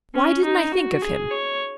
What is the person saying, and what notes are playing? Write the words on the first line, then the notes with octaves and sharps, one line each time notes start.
Why didn't I think of him?
C#4
D#4
F#4
G#4
C#5